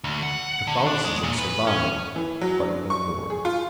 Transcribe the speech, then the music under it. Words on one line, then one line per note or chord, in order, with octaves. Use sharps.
Catholicism survived; but no more.
D2
F#5
D3
D4
G#3
A#2
B4
C#4
E3
F#3
D4
C#6
G#4
F4